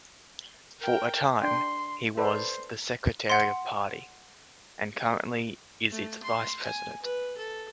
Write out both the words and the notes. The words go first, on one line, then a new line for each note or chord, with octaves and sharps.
For a time he was the secretary of party, and currently is its vice-president.
A#4 G5
D4 G5 C6
A4 B4 C5 D5
F#5 C6
A3
C6
G#5
B4
A4